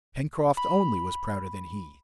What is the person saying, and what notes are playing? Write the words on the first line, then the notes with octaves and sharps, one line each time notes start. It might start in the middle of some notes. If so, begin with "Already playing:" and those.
Pencroft only was prouder than he!
B5